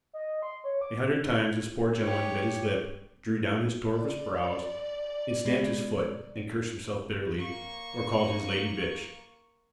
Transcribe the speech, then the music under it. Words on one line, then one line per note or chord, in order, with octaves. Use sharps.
A hundred times this poor gentleman bit his lip, drew down his torvous brows, and stamped his foot, and cursed himself bitterly, or called his lady bitch.
D#5
C6
C#5
D6
G4 C#5
D5
B2 G#3
A#3 C#6